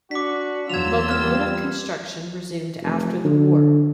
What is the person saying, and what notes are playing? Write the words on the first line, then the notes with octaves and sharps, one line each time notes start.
Locomotive construction resumed after the war.
D4 F#4 D6 B6
E2 F#3 F4 E6 G#6 F7
G3 F6
F1
D3